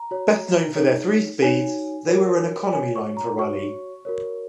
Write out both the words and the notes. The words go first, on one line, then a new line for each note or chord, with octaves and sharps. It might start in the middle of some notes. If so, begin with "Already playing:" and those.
Best known for their three-speeds, they were an economy line for Raleigh.
Already playing: A#5
F#4 C#5
D#4 G#4 C#5
D#4 F#4 C#5 G#5
F#4 A#4 C#5
F#4 C#5 G#5
C#6
A#5
F#4 C#5 C#6
F#4 A#4 C#5